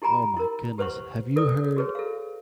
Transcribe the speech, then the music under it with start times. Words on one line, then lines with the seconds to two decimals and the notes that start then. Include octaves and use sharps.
Oh my goodness, have you heard
0.02 E4 G4 G#5 A#5 B5
0.37 E4 A#4
0.78 G4 B4 C5 F#5 C#6
1.36 A4 B4 D5 D#6
1.77 F#4 G#4 B4 C#5
1.95 A4 F5